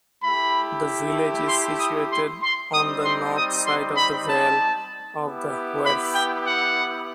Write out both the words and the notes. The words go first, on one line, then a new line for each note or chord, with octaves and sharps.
The village is situated on the north side of the vale of the Wharfe.
A3 E4 G4 B5
C6
D#6
C6
C6
G3 C4 D#4 D#6
C6
D#6
C6
B5
A5
B3 E4 G4
B5
G5
F#5